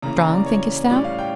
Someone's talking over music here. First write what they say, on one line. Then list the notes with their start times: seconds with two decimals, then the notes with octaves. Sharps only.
"Strong, thinkest thou?"
0.02 C#3 E3 A#3 C#4 A#5
0.17 A#5
0.31 D5
0.46 C#5
0.90 A2 G3 C#4 D5
1.04 F5
1.18 G5